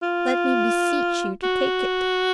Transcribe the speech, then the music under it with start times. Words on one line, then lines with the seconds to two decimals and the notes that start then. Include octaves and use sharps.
"Let me beseech you to take it."
0.02 F4
1.43 F#4